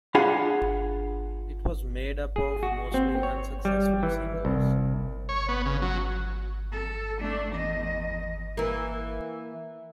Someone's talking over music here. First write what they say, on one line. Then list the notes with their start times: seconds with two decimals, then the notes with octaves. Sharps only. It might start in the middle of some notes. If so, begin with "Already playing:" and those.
It was made up of mostly unsuccessful singles.
0.15 D4 F4 G#4 F5 F#5 B5
2.36 G#4
2.63 F#4
2.94 C4
3.23 C#5
3.65 G3
4.03 E3
4.45 C2
5.29 C#5
5.48 B3
5.66 C#3
5.82 F#3
6.72 A4
7.19 A3 D4
7.52 E2 D#5
8.57 E3 A#3